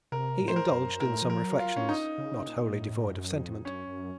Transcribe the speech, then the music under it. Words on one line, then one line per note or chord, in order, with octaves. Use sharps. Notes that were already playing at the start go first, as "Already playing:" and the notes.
He indulged in some reflections--not wholly devoid of sentiment.
C3 A#4
A2
C5
A#4
F#2
A2 A#4
F3
A#4
F#3
F4
C#4
D#4
C#3
A#2
A2
F#2
F2
F#2 C#4
F#2